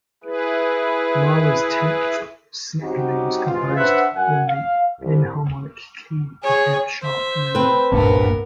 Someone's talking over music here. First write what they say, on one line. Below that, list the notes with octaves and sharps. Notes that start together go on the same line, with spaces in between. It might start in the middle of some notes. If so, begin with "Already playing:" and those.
Mahler's Tenth Symphony was composed in the enharmonic key of F-sharp major.
E4 G#4 B4
G3 C4 C#4 D#4 F#4 G4
C3 E3 G#3 F4
D4 B4 C5 E5 F#5
F#2 F#5 G#5
F5
C2
G#4 C#5
C5 E5
C4 B4
F#1 C2 G2 A#2 B3 A#4